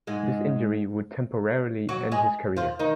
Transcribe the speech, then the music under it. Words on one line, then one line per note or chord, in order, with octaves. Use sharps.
This injury would temporarily end his career.
G#2 G#3
F#3 F#4
G#3 G#4
F3 F4
D#3 D#4